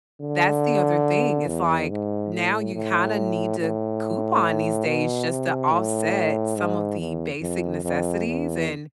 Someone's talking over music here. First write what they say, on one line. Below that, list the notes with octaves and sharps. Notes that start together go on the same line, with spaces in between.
that's the other thing, it's like, now you kinda need to coupon these days just to offset some of the basic necessities, and
D3
E2
G#2
A2
A2
A2
B2
C3
A2
G#2
E2
F2
F2
E2